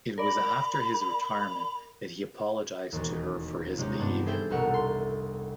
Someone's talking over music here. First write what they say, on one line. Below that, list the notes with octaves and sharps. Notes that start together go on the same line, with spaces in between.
It was after his retirement that he apologized to her for his behavior.
A#4 D5 B5
E1 D#2
C3 G#3 C#4 D#4 G4
G2 B3 C4 D4
G#4 A4 C5 E5 G5
F1 C2 B2 A4 A#4 F#5
C6